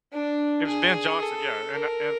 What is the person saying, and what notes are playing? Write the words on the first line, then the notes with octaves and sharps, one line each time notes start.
It was Ben Johnson, yeah, and a and
D4
G#4
A4
A#4